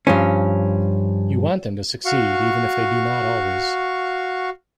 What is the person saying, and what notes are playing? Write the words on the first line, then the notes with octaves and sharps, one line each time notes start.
You want them to succeed, even if they do not always.
G2 F3 C#4
F#4 F5 C#6